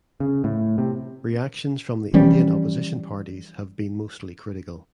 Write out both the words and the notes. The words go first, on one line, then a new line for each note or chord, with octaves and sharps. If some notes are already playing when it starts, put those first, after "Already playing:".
Reactions from the Indian opposition parties have been mostly critical.
C#3
A2
C3
E3 F3 G3 C#4